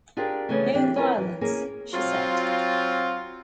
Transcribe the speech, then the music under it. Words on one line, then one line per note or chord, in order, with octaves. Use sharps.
No violence, she said.
D4 F4 G4 G#4 A#4 D5
C#3 E3 A3 B3 C#4 D4
E3 C4 D4 G4
C#4 E4 F4 A#4 B4 C#5
E3
A#3 C#4 G#4 A#4
F#3 C4 F4